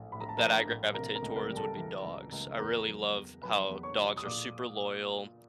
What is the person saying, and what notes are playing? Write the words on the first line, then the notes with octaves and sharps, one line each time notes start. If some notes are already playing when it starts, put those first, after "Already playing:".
th that I gravitate towards, would be dogs. I really love how dogs are super loyal.
Already playing: A#1 A2
A2 B5
A#5
A5
A#1 A#4 A#5
A#4 A#5
A2
C3 A#4 A#5
A#4 A#5
C#2
A#4 A#5
G3
A4 A5
E3
C#2
C#2
E2 A#4 A#5
F#3
E2
F#3 B4 B5
E2
C#5 C#6
B2
D#6
A#2 D5 D6